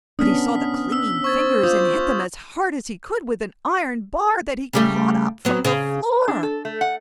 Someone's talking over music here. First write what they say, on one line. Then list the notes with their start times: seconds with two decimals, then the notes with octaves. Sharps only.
But he saw the clinging fingers, and hit them as hard as he could with an iron bar that he caught up from the floor.
0.19 B3 C#4 D4 D#6 F6 B6
0.56 B6
0.92 E6
1.24 C5 C#6 G#6 A6
1.63 F4 D6 D#6 G6
4.73 C#3 G3 A3
5.45 F#3 B3
5.65 C#3
6.28 D4
6.43 A4
6.65 A3
6.81 F#5